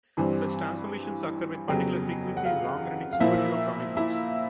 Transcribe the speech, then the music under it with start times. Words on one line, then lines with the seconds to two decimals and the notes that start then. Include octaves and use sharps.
Such transformations occur with particular frequency in long-running superhero comic books.
0.17 G2 E3 G3 C4
1.69 F2 C#3 F#3 B3 G4 G5
2.37 F#5
2.45 F4 F5
3.13 F5
3.20 A#2 F3 A#3 E4 E5
3.97 E4 E5